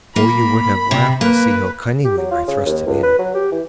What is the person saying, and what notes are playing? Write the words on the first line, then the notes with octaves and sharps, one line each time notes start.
Oh, you would have laughed to see how cunningly I thrust it in!
A#3 B5
C3
A#3 B4
G4
F#3
F4
C#3
D#2
C#2
B4
F#3
G4
E3